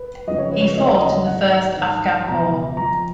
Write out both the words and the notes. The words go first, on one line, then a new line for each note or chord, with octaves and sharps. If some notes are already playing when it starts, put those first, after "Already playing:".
He fought in the First Afghan War.
Already playing: B4
F2 C#3 F3 D#5
C#5
B4
C#5
D#2 C#3 F3 D#5
C#5
D#5
G#2 D#3 F#5
G#2 D#3
C#2 B2 A#5
F2 F3 A#5